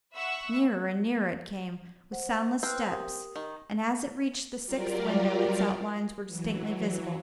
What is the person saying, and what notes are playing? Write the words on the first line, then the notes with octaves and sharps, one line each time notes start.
Nearer and nearer it came, with soundless steps, and as it reached the sixth window its outlines were distinctly visible.
E5 F#5 B5 C#6 E6
C5 F#5
C4 B4 F6 F#6
G4 A#4 D#6
D#3
F#3 G3 F4 G4 A#4 D5
E3 F#3